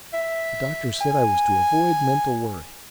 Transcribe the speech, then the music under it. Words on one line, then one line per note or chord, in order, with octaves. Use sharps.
The doctor said I was to avoid mental worry.
E5
G#5